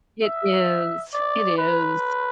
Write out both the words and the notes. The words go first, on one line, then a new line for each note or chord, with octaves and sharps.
It is. It is.
E5
D5
B4